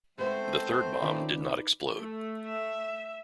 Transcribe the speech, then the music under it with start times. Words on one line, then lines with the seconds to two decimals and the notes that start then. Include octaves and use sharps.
The third bomb did not explode.
0.18 G#3 A3 B3 C4 C5
1.02 D#3 C#4 D#4 F4 B4 D5
1.96 A3
2.46 E5